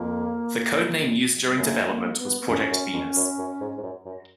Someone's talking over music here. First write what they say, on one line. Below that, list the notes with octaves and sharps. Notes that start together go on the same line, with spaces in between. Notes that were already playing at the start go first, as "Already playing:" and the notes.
The codename used during development was Project Venus.
Already playing: F2 A#3
F#2 A#3
A#3
B3
B3
F2 C#4
F#2
F2
F#2
F#2
G#2
G#2
F#2
F#2